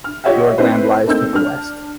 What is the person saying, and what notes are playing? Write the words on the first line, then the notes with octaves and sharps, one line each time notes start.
Fiordland lies to the west.
F6
F4 G4 C#5 D#5 E5 F#5
C4 D#4 E4 B4 C5
A3 A#3 C4 D#4 E6 G6
D4 F6